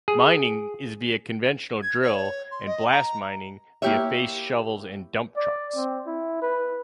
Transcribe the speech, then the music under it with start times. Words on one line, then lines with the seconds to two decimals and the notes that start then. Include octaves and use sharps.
Mining is via conventional drill and blast mining via face shovels and dump trucks.
0.08 G#4
1.82 G#6
2.02 C#5
2.50 C6
2.66 D#5
2.90 A#5
3.82 A#3 E4 G4 C#5 E5
5.36 D5
5.76 C4
6.07 E4
6.42 B4